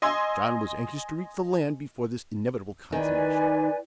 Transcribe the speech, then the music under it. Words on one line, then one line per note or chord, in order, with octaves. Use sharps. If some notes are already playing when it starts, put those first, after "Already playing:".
John was anxious to reach the land before this inevitable consummation.
D#5 G#5 C6 E6 G#6
D#3 B4 D5 G#5